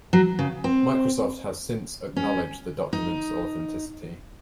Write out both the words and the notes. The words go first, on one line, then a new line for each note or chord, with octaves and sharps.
Microsoft has since acknowledged the documents' authenticity.
F#3
C#3
C4
C#4
D#4